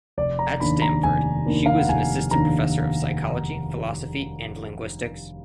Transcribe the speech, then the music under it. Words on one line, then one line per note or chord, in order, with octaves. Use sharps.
At Stanford, she was an assistant professor of psychology, philosophy, and linguistics.
F1 D5
A#5
D#2 D#3 A#3 D4 B5
A#5
F1 G#5
D#2 D#3 A#3 D4
F5
F#5
F1 G#5
D#2 D#3 A#3 D4 A#5